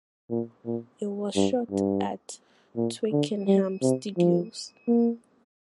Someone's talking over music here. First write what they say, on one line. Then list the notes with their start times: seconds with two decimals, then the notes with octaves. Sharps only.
It was shot at Twickenham Studios.
0.30 A#2
0.66 A#2
1.36 G2
1.71 G2
2.77 A#2
3.12 D3
3.47 G3
3.82 C3
4.18 F3
4.88 A#3